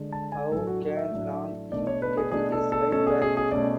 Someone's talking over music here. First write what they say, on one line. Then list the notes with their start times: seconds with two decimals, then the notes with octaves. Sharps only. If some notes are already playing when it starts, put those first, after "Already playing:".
How can Long Ying get his life back?
Already playing: D3 G#3 D4
0.12 A5
0.32 G#5
0.52 A2 F#3 A3 D4 A4
0.67 F#4
0.82 F#4
0.97 E5
1.12 A2 F#3 A3 D4
1.72 B2 A3 D4 D5
1.87 C#5
2.02 B4
2.17 G#4
2.31 B2 A3 D4 G#4
2.52 A4
2.72 A4
2.92 B2 A3 C#4 A4
3.07 G#4
3.22 G#4
3.37 G#4
3.51 B2 A3 C#4 D5